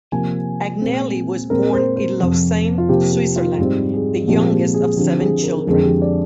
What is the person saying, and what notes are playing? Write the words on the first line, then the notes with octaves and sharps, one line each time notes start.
Agnelli was born in Lausanne, Switzerland, the youngest of seven children.
C3 F3 A#3 G#5
A#2 G#3 C4
A#2 G#3 C4 A#4
C5
C5
F2 C3 F3 C4
F4
C3 F3 A#3 G4
G4
F4
G#2 G3 C4
G#4
A#2 F3 G#3 C4 G4
G4
G#4
D3 F3 C4 G4
G#4
A#4
F2 D3 G#3 C4 G#4
G4
D5